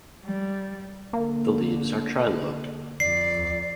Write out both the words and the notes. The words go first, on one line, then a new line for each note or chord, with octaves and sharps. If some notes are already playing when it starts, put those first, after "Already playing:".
The leaves are trilobed.
G3
D3 A#3
F2 D5 C7